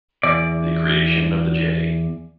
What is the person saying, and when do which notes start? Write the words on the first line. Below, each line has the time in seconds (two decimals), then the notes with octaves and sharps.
The creation of the J.
0.23 E2 D5